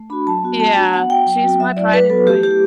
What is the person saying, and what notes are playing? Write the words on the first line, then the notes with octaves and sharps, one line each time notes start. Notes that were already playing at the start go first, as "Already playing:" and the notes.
Yeah. She's my pride and joy.
Already playing: A3
D4 F#4 B5
F#3 A5
B3 F#4
A3 A5
D4 F#4 A5
B3 F#5
F#4 G5
F#3 G5
C4 F#4
F#3 E5
A3 E4 D5
F#3 B4
B3 F#4 A4
A3 G4
E4 G4